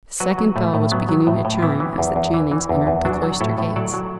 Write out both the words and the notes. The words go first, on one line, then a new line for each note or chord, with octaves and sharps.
The second bell was beginning to chime as the Channings entered the cloister gates.
F#3 F#4 B4
F#3
A2 A3
A2
F#3 B3
F#3
A2
A2
E3 B3 E4
E3
E2
E2
E3
E3
E2
E2
F#3 D4 F#4
F#3
A2 E4 A4
A2
F#3 A4 D5
F#3